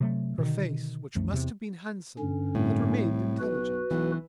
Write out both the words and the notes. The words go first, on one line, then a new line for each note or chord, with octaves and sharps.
Her face, which must have been handsome, had remained intelligent.
C3 F#3 A3
B2 D3 D#3
C2 F#2 F3 A3
E2 C3
G2 D3 C#4
C2 A2
B1 F#4 B4
B1 E3